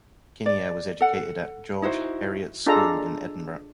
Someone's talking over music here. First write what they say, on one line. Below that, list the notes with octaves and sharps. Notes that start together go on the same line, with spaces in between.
Kinnear was educated at George Heriot's School in Edinburgh.
D5
A4 F#5
D#4 E4 F#4 C5
D4 F4 G#4 A4 D#5 A#5